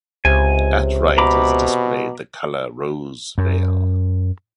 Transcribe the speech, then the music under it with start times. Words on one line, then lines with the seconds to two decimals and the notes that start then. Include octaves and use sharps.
At right is displayed the color rose vale.
0.25 C#2 C3 G#5
1.18 B2 A#5 B5 D6
3.38 F#2